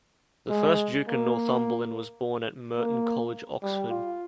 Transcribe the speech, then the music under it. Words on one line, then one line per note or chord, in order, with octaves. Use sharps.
The first Duke of Northumberland was born at Merton College, Oxford.
G#3
A#3
A#3
G3
F4